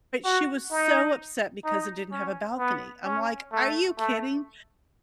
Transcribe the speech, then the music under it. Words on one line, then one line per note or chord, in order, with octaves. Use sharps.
but she was so upset because it didn't have a balcony. I'm like, "Are you kidding?"
F#4
D#4
D#4
C#4
B3
C#4
A3
A3